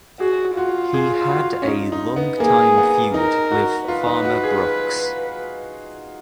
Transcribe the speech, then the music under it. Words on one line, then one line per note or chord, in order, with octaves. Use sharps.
He had a longtime feud with Farmer Brooks.
F#4 G#4
F4 F#4
G#4
F#4
C#4
D#4
D#4
B3
A#3 G#4
B3
D#4 A#4
F#4
F4 B4
D#4
F#4
G#4